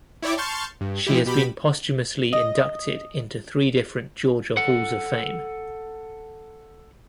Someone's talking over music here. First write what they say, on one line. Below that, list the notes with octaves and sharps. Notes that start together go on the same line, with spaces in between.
She has been posthumously inducted into three different Georgia halls of fame.
E4 C#5 D5 G5 D6
A5 C6 C#6 F6 G6 A6
G2
F3 G#3 E4 G4
B2 G4 B5
D#5
A4 F#5